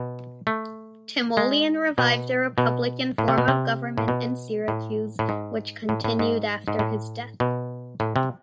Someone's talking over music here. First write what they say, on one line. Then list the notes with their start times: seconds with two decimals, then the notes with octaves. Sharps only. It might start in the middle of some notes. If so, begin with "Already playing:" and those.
Timoleon revived a republican form of government in Syracuse, which continued after his death.
Already playing: B2
0.47 A3
1.37 G#3
1.98 B2
2.58 B2
3.18 A2
3.28 C3
3.38 B2
3.48 C3
3.98 A2
4.08 B2
4.68 A2
5.19 A2
5.29 G#2
5.89 A2
6.04 A2
6.19 G#2
6.68 G#2
6.79 A2
7.40 B2
8.00 A2
8.16 C3